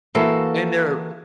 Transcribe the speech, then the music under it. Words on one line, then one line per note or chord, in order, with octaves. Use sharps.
and they're,
E3 A#3 F#4 A4 F5 A5